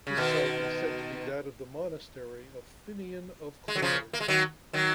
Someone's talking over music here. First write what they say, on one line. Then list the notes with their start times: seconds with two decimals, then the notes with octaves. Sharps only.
The site is said to be that of the monastery of Finnian of Clonard.
0.07 C#3
0.17 B2 D#3
3.68 G#3
3.75 F#3
3.82 C#3 F3
4.13 A#3
4.20 G#3
4.28 D#3 F#3
4.73 D#3 F#3